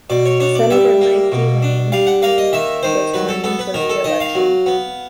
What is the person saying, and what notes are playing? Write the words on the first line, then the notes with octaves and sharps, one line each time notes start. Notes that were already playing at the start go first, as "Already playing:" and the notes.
Senator Mike DeWine was running for re-election.
B2 D5
C#5
D4 C#5
D5
G3 E5
A#3
B2
D4
G3 F5
F#5
A#3 F5
D#5
D#3 E5
D#3 C5
F#3 B4
A4
B3 A4
B4
D#3 A#4
A4
D#3 D#5
F5
F#3
B3